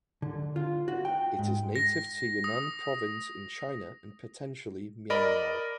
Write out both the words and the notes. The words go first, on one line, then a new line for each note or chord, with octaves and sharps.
It is native to Yunnan Province in China and potentially Myanmar.
D3
F4
F#4
G5
G#2
A#6
D#6
A#4 D5 D#5 B5